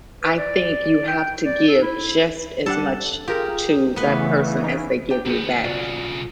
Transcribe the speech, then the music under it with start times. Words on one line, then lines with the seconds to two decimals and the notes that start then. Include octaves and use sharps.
I think you have to give just as much to that person as they give you back.
0.24 B4
0.38 D5
1.07 G5
1.46 D5
1.68 A4
1.82 E4
2.66 G3 D4 A4 F#5
3.28 F4 G4 G#4 A#4
3.96 C#3 E3 A3 B3 B4
4.62 D#4
5.10 D4 G4 G5
5.26 D2 B3 G4 G#4
5.64 B1 C#3 F4 F#4 D5